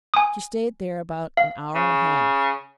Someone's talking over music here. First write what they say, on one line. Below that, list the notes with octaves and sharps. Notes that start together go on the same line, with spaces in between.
She stayed there about an hour and a half.
G#5 D#6
F5
C#3